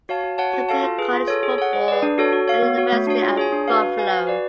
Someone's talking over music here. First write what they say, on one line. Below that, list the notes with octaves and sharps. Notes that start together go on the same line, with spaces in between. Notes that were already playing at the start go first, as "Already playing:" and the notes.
He played college football at the University at Buffalo.
F#4 C#5 F5 A5
F#4
C#5 F#5 A5
F#4
A4 F5 A5
F4
G#4 B4
F4
A4 C#5
G#4
C#5 F#5
G#4
B4 D5
D4
F#4 A4 C#5
F#4
C#5 F5
B3
F#4 C#5
A3
D4 F#4 C#5
F4
G#4 C#5 G#5
D4
F#4 B4 F5
F#4
B4 F5 G#5
F#4
B4 D5